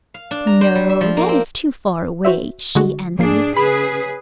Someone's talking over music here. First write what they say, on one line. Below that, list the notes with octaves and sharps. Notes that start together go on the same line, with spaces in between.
"No--that is too far away," she answered.
F5
D4
A#5
C5
G3
E5
F3
A#3
C4
F#4 C5 E5
D3 G#3 F#4
G#2 F3 A#3 D4 G#4 C7
C#3 G#4 B4 B5